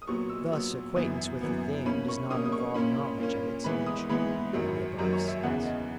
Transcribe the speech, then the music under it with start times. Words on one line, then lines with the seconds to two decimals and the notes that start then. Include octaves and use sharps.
Thus, acquaintance with a thing does not involve knowledge of its 'nature' in the above sense.
0.02 D#6
0.07 A#2 F#3 B3 C#6
0.29 E6
0.52 A#2 F#3 B3
0.96 F#2 E3 B3 D#6
1.41 F#2 E3 B3
1.85 B2 A#3 C#4 B5
2.08 C#6
2.30 B2 A#3 C#4 D#6
2.45 D#6
2.52 C#6
2.74 A#2 A#3 C#4 B5
3.20 A#2 A#3 C#4
3.64 G#2 E3 B3 B5
3.86 D#6
4.10 G#2 E3 B3 B5
4.53 F#2 D#3 F#3
4.98 F#2 D#3 F#3 A#5
5.13 C#5
5.28 E5
5.42 E2 C#3 E3 B3 F#5
5.65 D#5